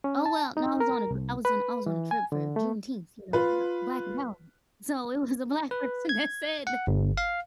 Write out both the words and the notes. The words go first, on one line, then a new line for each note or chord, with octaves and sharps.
Oh, well, no, I was on a I was on I was on a trip for Juneteenth, you know, "the black empowerment," so, it was a black person that said th
C#4
A5
D#4
A#4
C2
B4
E3
G#5
D3
A3
F4 B4
B4
G#6
F#5
G1
F5